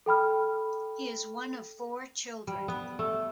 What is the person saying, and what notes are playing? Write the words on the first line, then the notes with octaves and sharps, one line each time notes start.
He is one of four children.
A4 G5 B5 F6
G3
B3
A3